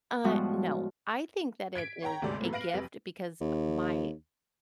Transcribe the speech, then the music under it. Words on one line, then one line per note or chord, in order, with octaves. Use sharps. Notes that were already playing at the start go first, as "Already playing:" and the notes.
Uh, no. I think that it is a gift because my
A2 F3 G3 G#3 B3 F#4
G#6 B6 D7
C#5 F#5 G5 A#5
G1 D2 G#2 C3 A4 D5
A2 F#3 A#3 B3 A4
B4 F5 A#6 D7 F#7
F1 F#3 G4 B4
D#2